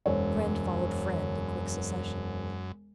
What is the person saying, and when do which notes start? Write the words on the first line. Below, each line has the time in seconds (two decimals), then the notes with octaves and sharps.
Friend followed friend in quick succession.
0.06 E1 F#2 C5 C#5